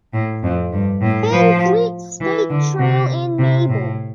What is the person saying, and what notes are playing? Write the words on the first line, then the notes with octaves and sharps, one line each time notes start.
Van Fleet State Trail in Mabel.
A2
F2
G2
A2
F3
E3
D3
C3
C3
A2